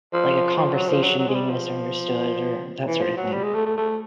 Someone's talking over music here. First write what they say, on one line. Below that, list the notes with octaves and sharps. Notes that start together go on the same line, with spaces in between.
like a conversation being misunderstood or that sorta thing?
F3
F3
F#3
F3
F#3
F#3
G#3
G3
F3
E3
F3
F#3
G3
G#3
A3
A3
A3